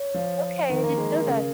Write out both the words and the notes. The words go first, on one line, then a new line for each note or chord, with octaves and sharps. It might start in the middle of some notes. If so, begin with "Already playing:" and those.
Okay, I didn't know that.
Already playing: C#5
F3
D#3 A#4
A#3
G#3
C#3